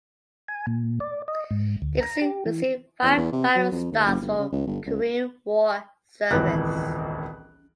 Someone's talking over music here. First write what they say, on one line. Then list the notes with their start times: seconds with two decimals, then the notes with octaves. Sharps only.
"Dixie" received five battle stars for Korean War service.
0.48 G#5
0.67 A#2
1.00 D5
1.28 D#5
1.51 G#2
1.82 D2
2.00 A#5
2.22 G4
2.46 E3
3.03 E2
3.17 E2
3.32 C3
3.55 F#3
3.72 F2
3.91 D#2
4.06 F#1
4.21 G1
4.39 C#3
4.52 C#2
4.67 G1
4.86 C#2
6.31 D#1 G#1 C#2 E3 F#6